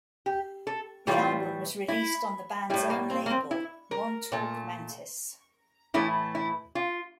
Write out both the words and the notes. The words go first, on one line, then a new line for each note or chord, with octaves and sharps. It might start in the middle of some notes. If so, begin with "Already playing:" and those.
The album was released on the band's own label, Montauk Mantis.
G4
A4
A2 E3 G3 F4
E4
A2 G3 E4
A#3
C4
A#3
C4
E4
A#4
A#2 A3
A2 E3 A3 E4
E4
F4